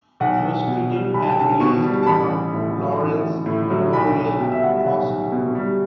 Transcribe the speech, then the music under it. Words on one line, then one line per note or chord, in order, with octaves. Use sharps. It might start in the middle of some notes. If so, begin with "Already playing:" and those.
He was treated and released from Lawrence Memorial Hospital.
B1 F#5
B1
B2
G3
B1 B5
A5
G5
B1 A5
B2 C#6
G3
A5
A1 B5
A1
A2
F#3
A1
A1
A2
F#3
B1 B5
B1
B2 G5
E5
G3 F#5
E5
B1 F#5
B1
B2
G3